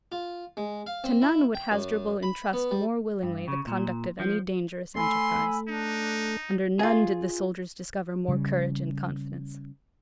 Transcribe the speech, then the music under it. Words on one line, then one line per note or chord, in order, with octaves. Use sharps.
To none would Hasdrubal entrust more willingly the conduct of any dangerous enterprize; under none did the soldiers discover more courage and confidence.
F4
G#3
F5
C4
E4
G5
F#2
B5
B3
G3
G2
C#3
A#2
F3
A3 G#5 B5 C6 E6
D4 D#4
F4 G#4
C#3 G3